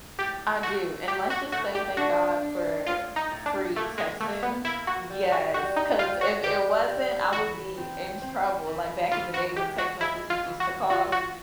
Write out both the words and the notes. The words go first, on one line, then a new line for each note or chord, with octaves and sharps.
I do, and let's just say thank God for free texting, yes, ‘cause if it wasn't, I would be in trouble, like back in the day when text messages used to cost,
A2 G4
A3 F#4
A2 G4
F#4
A3 F#4
G4
D4 F#4
D4
A2 F4
D#4
A2
D4
A3 A#3
G#3
A3 A#3
B3
A#3 E4
F#4
G3
F#4
G3 F#4
D#4
G3 F4
F#4
G3 G4
G3
E3 F#4
C4
C4
E3
E3 F4
F#4
G#3 G4
F#4
G#3 E4
F4
E3
F#4
F4 F#4
F#4